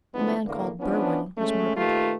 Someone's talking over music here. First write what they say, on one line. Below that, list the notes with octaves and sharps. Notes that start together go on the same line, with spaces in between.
"The man called Berwin was murdered."
D3 F3 G#3 B3 D4 E4
E2 A2 D3 E3 A#3
E3 F3 B3 C#4 D4
G#3 A3 C#4
A#2 D#3 A3 F4 G4 B4